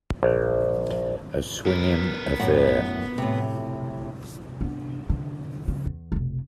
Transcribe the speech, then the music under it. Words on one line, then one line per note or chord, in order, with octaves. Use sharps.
A Swingin' Affair!
A#1
B3 A#4
F#2 A2 F#5
A2 C3
B3 D4
D3
C#3
E2
F1 B1